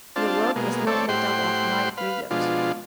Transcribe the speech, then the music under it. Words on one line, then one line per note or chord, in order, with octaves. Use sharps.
But the world is not made up of mind readers.
C4 D4 F4 A5
B2 G#3 A#3
A3 C4 A4 C#5 D5
A2 G4 C5 F#5 G5 C6
B4 F5
B2 F3 G#3 D4 F4